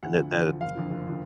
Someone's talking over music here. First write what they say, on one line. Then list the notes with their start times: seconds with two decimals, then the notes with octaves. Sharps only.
And, eh, that
0.03 D2 F#5
0.18 D3 F3
0.32 D2
0.47 D3 F3
0.61 F#1 F5
0.75 F2 D3 F3
0.90 F#1
1.07 D3 F3